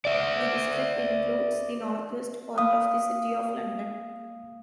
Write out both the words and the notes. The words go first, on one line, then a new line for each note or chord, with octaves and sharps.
The district includes the northwest part of the City of London.
D5 E5
A#3 F5 D#6